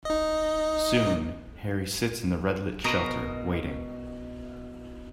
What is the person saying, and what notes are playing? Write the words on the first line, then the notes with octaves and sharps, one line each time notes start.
Soon, Harry sits in the red lit shelter, waiting.
D#4 D#5
B2 A#4 D#5